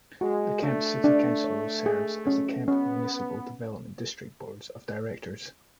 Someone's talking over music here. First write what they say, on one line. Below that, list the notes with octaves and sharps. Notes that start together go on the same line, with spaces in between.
The Kemp City Council serves as the Kemp Municipal Development District Board of Directors.
G#3 F#4
A3 D4
D4
C#5
G#4
C#4
B3 C#4